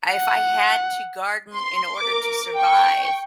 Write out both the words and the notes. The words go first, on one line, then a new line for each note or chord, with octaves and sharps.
I if I had to garden in order to survive,
F#5
C6
A#4 D6
G5 C#6